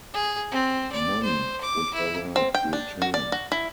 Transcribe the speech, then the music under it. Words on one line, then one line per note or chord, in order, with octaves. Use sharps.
None would ever return.
G#4
C4
D5
C5
D6
E4
C4
G5
D4
F#4
D5
F#4
E4